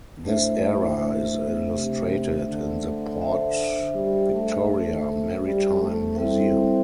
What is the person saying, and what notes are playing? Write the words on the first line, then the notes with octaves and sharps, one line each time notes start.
This era is illustrated in the Port Victoria Maritime Museum.
A2 A3 D4 C5 E5
C3
D3
D4 C5 E5
G3
A3
A3
G3
A3
G3 C4 E4 A4 E5